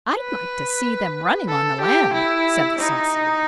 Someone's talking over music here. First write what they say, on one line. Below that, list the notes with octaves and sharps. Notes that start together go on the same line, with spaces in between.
"I'd like to see them running on the land," said the saucy one.
B4
A4
G4
E4
D#4